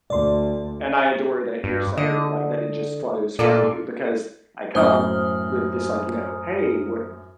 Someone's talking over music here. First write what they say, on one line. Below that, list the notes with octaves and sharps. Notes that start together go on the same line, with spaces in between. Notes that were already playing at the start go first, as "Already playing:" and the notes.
and I adore that you're so like, that it just flows from you because I come with this, like, you know, "Hey, what
D2 D5 C6
G2
D3 D#5
A#2 F4 A4 D5
F#2 A2 C#4 C5 D#6 F6